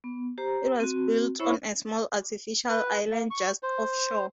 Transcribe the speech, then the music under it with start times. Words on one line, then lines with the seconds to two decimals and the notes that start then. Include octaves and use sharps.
It was built on a small artificial island just off shore.
0.04 B3
0.38 G4 C5 A#5
0.80 C4 F#4
1.40 E4 C5 C#5 E5 B5 C#6
2.69 B4
3.11 A#3
3.30 C#6
3.63 C5